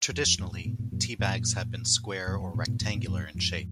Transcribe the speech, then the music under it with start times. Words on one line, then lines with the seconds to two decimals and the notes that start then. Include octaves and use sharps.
Traditionally, tea bags have been square or rectangular in shape.
0.12 F2
0.26 F2
0.38 F2 G#2
0.52 F#2 A#2
0.65 G#2 B2
0.79 G#2 B2
0.92 F#2 A#2
1.19 F#2 A#2
2.27 F#2 A#2
2.41 F#2
2.54 G#2 B2
2.67 G#2 B2
2.81 F#2 A#2
2.95 G#2 B2
3.08 F#2 A#2
3.34 F2 G#2